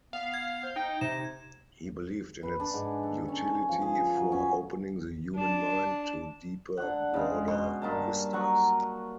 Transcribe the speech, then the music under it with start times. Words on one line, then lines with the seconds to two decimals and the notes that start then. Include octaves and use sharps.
He believed in its utility for opening the human mind to deeper, broader vistas.
0.13 B3 F5
0.34 G#6
0.63 C5
0.76 D#4 G5
1.01 C3 D#4 E7
2.43 B4
2.60 D4
2.74 G#2
3.03 A4
3.28 C#4
3.45 G#5
3.69 F3
3.82 G#4
3.97 G#4
4.16 F#3
4.32 C#4
5.34 D4 A5
6.77 D3 F#5
7.14 C#3 G#3
7.48 B2 C6
7.82 G2 A#3 A5
8.33 F#3 F#5 C#6